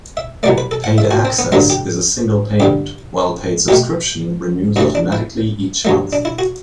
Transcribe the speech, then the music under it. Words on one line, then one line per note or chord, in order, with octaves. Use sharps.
Paid Access is a single payment, while Paid Subscription renews automatically each month.
E5
C2 B2 F#3 A3 D5
B4
A4
F#5
E5
F#4
C4
B3
G2 D3 F#3 A3 C4
G4
G2 D3 G3 G4
B1 B2 A3 G4
G2 E3 A3 F#4
D4
E4
G2 F#3 A3
D4
E4
F#4